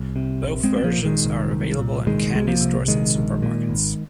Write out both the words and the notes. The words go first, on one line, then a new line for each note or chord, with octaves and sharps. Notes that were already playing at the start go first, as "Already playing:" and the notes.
Both versions are available in candy stores and supermarkets.
Already playing: C2
C3
A#1
G#3 C4
A#1
C4
F3 A#3
A#2
D#3 G#3
C2
C2
A#2
C2 D#3 G#3
C2 G#3
F3 A#3
C3
A#1 D#3 G#3
A#1
A#2
G#1